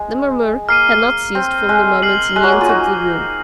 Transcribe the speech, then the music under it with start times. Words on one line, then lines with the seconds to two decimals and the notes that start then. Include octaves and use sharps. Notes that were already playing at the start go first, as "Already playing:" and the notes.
The murmur had not ceased from the moment he entered the room.
Already playing: G#3
0.69 A#3 F6 C7 D#7
1.35 C4
1.69 G#3
2.02 F6 C7 F#7
2.36 G#3
2.43 F#3
2.52 A#3
2.61 F4 G#4
2.68 D#4 F#4